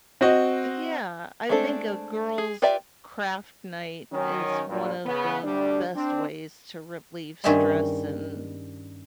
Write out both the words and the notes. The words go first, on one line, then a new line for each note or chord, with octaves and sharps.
Yeah, I think a girls' craft night is one of the best ways to relieve stress and
C4 F#4 D#5
G#3 A3 C4 D4 A4
G#4
F4 G4 B4 D5 E5
D#3 F#3 C#4
G2 A#2
C#3 B3
D2 G3 D4
C4 D4
G2 D#3 C#4 G#4 E5 C6